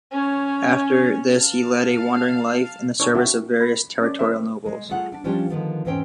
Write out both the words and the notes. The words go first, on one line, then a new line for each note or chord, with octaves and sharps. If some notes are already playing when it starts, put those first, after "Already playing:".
After this he led a wandering life in the service of various territorial nobles.
C#4 C#5
F5 A5
D4 C#5
C4 F#4 E5
B5
C#4 D5
C4 A#4 C5 E5
G#3
G3 A3 F4 G#4 F#5
D4
F3 G3 C#4 D4 F4 G4
D3 D#3 F3 B3
E2 G#2 C4 C#4 C5 G5